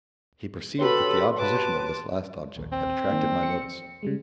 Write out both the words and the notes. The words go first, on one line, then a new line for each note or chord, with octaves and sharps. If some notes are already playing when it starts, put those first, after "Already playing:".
He perceived that the odd position of this last object had attracted my notice.
F#4 G4 A4 B4 C#5 B5 C6
B4 A5 D6
A#1 D#2
C4
D#3 A#3
C#7
C#3 G3 G#3